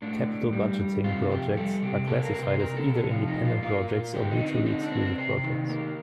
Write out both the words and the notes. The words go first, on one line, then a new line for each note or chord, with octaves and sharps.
Capital budgeting projects are classified as either Independent Projects or Mutually Exclusive Projects.
A2 D4
A2
G3
G3
C3 F4
F2 G4
G3 A4
C3 G4
A#3 A4
A#4
C3
C5
C3 A#4
A4
C3
A4
F3 F4
D#4
A#2
F4
A#3 F4
A#2 F4
D3 G4
D#4
C4
D#4
D3 D#4
D4
C4
D4
C3 C5
D#3
A#3